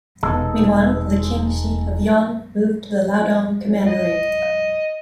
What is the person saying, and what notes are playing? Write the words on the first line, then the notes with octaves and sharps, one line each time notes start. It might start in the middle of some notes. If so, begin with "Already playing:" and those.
Meanwhile, the King Xi of Yan moved to the Liaodong Commandery.
E1 B2 G#3 B3 D#4 A4
D#5